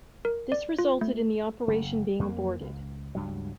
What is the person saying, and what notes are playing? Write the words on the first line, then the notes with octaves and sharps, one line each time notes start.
This resulted in the operation being aborted.
A#4
D5
F4
A3
F#1
F2 A#3
C#2
C#2 G2 F#3